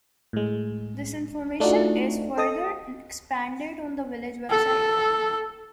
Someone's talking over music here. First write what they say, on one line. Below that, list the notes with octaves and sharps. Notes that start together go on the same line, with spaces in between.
This information is further expanded on the village website.
A2 G#3
A3 D4 D#4 F4 F#4
A4 D#5 A5 D#6
A4